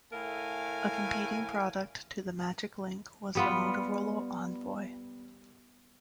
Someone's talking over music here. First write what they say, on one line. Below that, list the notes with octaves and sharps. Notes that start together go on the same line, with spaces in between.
A competing product to the Magic Link was the Motorola Envoy.
A2 A3 A#4 F5 G#5
G3 B3 F4